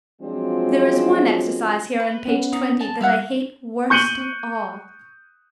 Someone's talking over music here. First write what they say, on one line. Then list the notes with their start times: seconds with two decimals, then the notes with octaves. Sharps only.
There is one exercise here on page twenty that I hate worst of all.
0.22 F3 F#3 G#3 C4 D4 F4
2.00 B4
2.27 B3 C#4 F#5
2.53 D#4
2.81 A5
3.01 G3 E4 F5 F#5
3.90 C#6 G6 C#7 D#7 F#7 G7